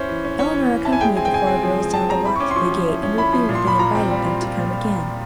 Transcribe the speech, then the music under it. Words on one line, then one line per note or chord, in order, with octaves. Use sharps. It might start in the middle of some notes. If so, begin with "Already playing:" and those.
Eleanor accompanied the four girls down the walk to the gate and repeatedly invited them to come again.
Already playing: C#4 E4 C5
E3
C#4
C#4 C#5
E3
E3
E4 A5
G#5
G#3 G5
C4 G#5
G5
C#3 G#5
C4
F3
G#3
C4 A5
C4 A#5
E4 B5
C#6
C#4 D6
C6
F3 C#6
F3
E4
C#4
E4 B5
F3
A#2
C6
A#2 B5
F4 A#5
C4
G3
F4
F4
A#2